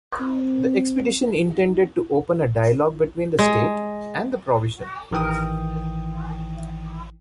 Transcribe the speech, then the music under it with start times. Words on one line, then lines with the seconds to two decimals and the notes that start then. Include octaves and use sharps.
The expedition intended to open a dialogue between the state and the opposition.
0.21 C4
3.39 G#3
5.11 A1 D#3 E3 G5 D#6